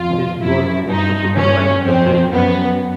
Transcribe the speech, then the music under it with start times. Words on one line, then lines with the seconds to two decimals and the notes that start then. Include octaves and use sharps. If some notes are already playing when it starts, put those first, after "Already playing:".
His work was to supervise the prisoners.
Already playing: F2 F4
0.41 F#2 E4
0.88 G2 D#4
1.36 C#4
1.83 F2 C4
2.31 F#2 B3